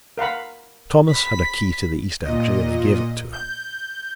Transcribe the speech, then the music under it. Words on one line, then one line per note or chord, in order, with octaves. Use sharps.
Thomas had a key to the east entry, and gave it to her.
A#4 F5 F#5 B5
B5 B6
A#2 D#5
G6